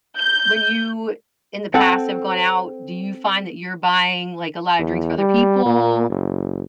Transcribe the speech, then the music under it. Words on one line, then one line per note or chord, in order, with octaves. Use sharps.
when you in the past, have gone out, do you find that you're buying, like, a lotta drinks for other people
G6
C4 A4 F#5
E2
G3
A#2
F#1